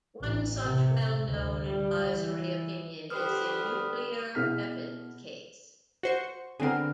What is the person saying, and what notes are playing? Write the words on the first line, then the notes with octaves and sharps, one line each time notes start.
One such well-known advisory opinion is the "Nuclear Weapons Case".
A1
C3
D2
G3
E3
D3 G3 G4 B4 C5 D#6 F6
B2 E4 G#4 F6 B6
F#4 C5 C#6
D3 B3 C4 G#4 A#4